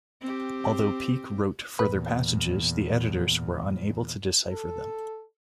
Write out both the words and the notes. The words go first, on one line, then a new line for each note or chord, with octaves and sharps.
Although Peake wrote further passages, the editors were unable to decipher them.
C4 G4
E2 A#2 B4
A4